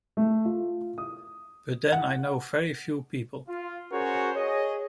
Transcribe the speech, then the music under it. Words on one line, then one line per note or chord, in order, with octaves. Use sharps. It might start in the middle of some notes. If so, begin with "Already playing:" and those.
But then I know very few people.
A3
F4
D#6
F#5
F4
C#4 F#4 G#4 A#4 C5 C#5
G#4 C#5 D#5